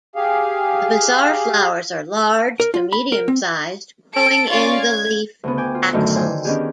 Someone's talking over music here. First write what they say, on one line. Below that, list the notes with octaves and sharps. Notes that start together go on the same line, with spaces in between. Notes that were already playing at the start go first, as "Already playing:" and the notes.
The bizarre flowers are large to medium-sized, growing in the leaf axils.
G4 G#4 F5
A#4
F4
B5
A#4
C4
A4 D7
C#4 F4 D5 F5 C#6 A6
G#6
D2 C#3 B3
G5 G#5 D6
F4
F#2 A2 D3 D#3 A3 D#4
C5 G5 G#5
D#3 B3 C#4 D4 G4 G#4